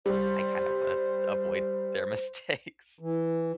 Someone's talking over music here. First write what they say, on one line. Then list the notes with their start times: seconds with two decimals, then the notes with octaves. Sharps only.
I kind of wanna avoid their mistakes.
0.06 G3 C5
2.99 E3